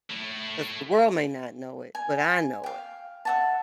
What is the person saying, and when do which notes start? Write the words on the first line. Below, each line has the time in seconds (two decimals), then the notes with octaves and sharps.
'Cause the world may not know it, but I know it.
0.10 A3 E4
1.95 G#5
2.64 F5 G5
3.25 E5 F#5 A5